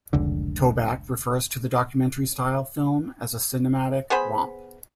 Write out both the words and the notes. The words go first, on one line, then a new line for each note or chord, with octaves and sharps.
Toback refers to the documentary style film as a cinematic romp.
F1 C#2 D3
B3 G#4 C5 B5